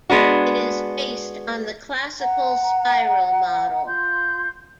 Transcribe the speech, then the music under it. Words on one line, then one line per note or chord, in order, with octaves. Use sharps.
It is based on the classical spiral model.
G#3 B3 D4 F#4
F#5 A#5
F4 C6 G6